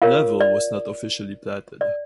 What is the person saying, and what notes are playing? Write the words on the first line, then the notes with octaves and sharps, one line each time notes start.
Level was not officially platted.
F4 A#4 C#5 F5
D5
D5